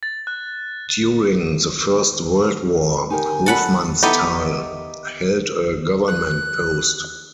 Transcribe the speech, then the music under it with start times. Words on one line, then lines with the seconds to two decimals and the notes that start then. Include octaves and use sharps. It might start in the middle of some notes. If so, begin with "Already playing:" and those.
During the First World War Hofmannsthal held a government post.
0.03 A6
0.27 F#6
3.10 D#4 G4 A#4 G#5
3.46 A4 F#5 B5
4.03 B3 D#4 E4 G4 A4
6.07 F#6